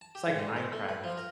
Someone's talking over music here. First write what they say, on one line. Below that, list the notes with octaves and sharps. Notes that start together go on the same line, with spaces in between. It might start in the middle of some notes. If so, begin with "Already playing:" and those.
it's like Minecraft.
A5
G4
G#2
D3
C5
A3
B4
F3
A#4